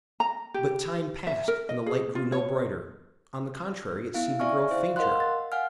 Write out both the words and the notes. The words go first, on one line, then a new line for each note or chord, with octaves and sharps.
But time passed, and the light grew no brighter; on the contrary, it seemed to grow fainter.
A#5
G4
E5
A#4
D#5
G#4
F4
C#5
B3 E4 F5
D5 E5 G#5 C#6 F6
E4 C5 F5
A#4 D#5 F5 F#5 C6 F#6
A6
F5 F#5 G#5 F6